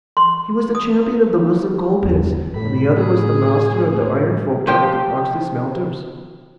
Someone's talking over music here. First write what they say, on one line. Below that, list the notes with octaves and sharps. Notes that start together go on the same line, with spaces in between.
He was the champion of the Wilson coal-pits, and the other was the Master of the iron-folk down at the Croxley smelters.
C6
D#6
G1 E2
A2 B5
G#4
F3 G4 C5 G5